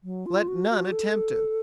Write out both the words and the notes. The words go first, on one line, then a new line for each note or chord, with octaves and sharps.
Let none attempt it.
F#3
F4
F#4
F#4
A4